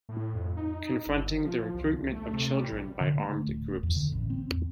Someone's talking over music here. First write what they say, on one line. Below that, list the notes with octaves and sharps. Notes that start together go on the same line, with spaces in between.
Confronting the recruitment of children by armed groups.
A2
F2
D#4
G1
F3
C2
D2
A3
C3
G3
A#1
D3
A3
D1
E2
D3
A1
C4
E2